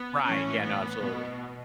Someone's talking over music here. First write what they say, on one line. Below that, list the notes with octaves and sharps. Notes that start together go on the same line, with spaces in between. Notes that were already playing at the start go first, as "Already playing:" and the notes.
Right, yeah, no, absolutely.
Already playing: B3
A2 E3 C#4
B3
B2